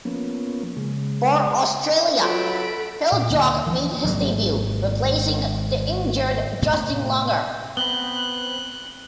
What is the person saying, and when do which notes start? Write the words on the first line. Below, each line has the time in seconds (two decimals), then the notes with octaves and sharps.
For Australia, Phil Jaques made his debut, replacing the injured Justin Langer.
0.05 F3 A#3 B3 C#4
0.77 C#3 G#3
2.20 F#3 F4 A4 B4 D#5 B5 D7
3.12 A#2
3.30 D2 A#3
3.67 E3 F3
4.04 G#1 F#3 A#3
6.62 A2 C3 A3 B3
7.77 B3 C4 B4 F#6 G7